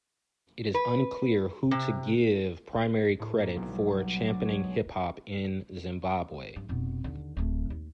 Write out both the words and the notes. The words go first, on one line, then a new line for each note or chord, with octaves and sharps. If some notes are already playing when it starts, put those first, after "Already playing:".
It is unclear who to give primary credit for championing hip hop in Zimbabwe.
B4
C3
A2
A#3
B1
G3
F#3
B3
D4
C#5
G#3
G2
F1 B2
D#2 D3
D1 A3
D#2